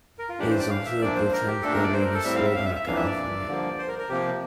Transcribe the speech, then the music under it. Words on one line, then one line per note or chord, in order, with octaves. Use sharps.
It is also the tenth letter of the Slovak alphabet.
A#4
F4
A2 E3 A3 D4 G4
C5
D5
F5
E5
A#2 F3 A#3 D4 D5
C5
A#4
G4
A#2 A3 D4 A4
A#4
D5
C5
A#4
A4
A2 G3 C4 E5
F5
E5
F5
E5
E5
F2 E3 A#3 D4 F5
E5
D5
G2 D3 F3 A#3
C5
A#4
A#4
C3 F3 A#3 G4